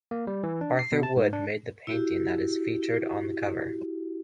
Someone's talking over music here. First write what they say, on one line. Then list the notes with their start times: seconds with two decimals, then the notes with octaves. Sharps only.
Arthur Wood made the painting that is featured on the cover.
0.11 A#3
0.27 G3
0.43 E3
0.61 D4
0.79 C7
0.92 B2
1.03 A5
1.17 G#2
1.33 D4
1.87 E4 F#4 G4